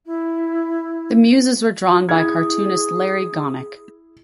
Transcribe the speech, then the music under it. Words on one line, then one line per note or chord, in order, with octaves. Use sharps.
The Muses were drawn by cartoonist Larry Gonick.
E4
E4 G#4 G#6